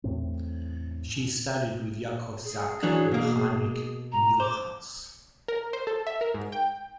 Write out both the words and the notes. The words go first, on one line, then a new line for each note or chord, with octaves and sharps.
She studied with Yakov Zak and Heinrich Neuhaus.
E2 A2 C4
G#4
E3 F#3 D4
B2 A#3
A#5
C5 D6
A#4
C5
A4
E5
A#4
G#2
G5